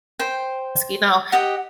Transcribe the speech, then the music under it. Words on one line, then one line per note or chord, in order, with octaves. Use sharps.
you know?
C5 G5
G4 D#5 F#5